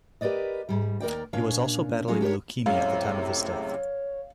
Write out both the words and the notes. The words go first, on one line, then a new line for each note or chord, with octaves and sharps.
He was also battling leukemia at the time of his death.
G4 A#4 B4 D5 D#5
G#2 G3
D#2 A#4 D5 G5
A#2 C#4 D4 C#5 F5
F#3 G#3 C#4 F4 G#4
D4 G4 A#4 C#5
F#2 A2 C3 G#3 C#5 F5